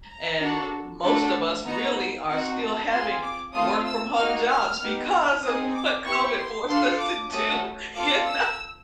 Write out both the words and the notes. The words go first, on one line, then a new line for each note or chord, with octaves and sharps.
and most of us really are still having work from home jobs because of what COVID forced us to do, you know?
A#5
D4 F#4 A4
A3 D4 F#4 A4
B3 D#4 F#4 A#5
C4 D#4 F#4 A#5
A5
C4 F4 G#4 C6
D6
A3 C4 F4 D#6
E6
A#3 D#4 F#4 F6
F6
B3 D#4 G4
C4 D#4 G#4 D#6
D6
B3 E4 G4 C#6
C6
D4 F4 A4 C6
D6
A3 C#4 F#4 A4 D#6
C4 F4 A4 D6
E6